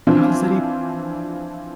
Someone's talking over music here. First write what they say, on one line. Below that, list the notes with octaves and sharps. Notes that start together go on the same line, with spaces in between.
How does that
E3 F3 C4 D4 F4